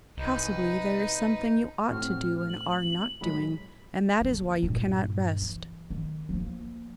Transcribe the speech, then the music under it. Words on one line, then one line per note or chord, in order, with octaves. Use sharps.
Possibly there is something you ought to do and are not doing, and that is why you cannot rest.
C2 D#4 B4
A2 C4 F#4 F6
F6
F#7
A2 F#3 G#3 B5
D3 A#3
G2 A#2
E3
D#3
F3 A#3